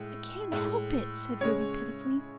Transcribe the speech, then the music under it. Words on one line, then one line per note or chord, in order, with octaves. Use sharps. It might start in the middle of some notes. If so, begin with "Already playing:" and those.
"I can't help it," said Ruby pitifully.
Already playing: A2 G#3
A2 G#3
C#3 G#3 C#5